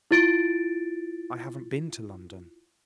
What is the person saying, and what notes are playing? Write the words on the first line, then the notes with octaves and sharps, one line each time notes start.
'I haven't been to London.
E4 F4 A6 D7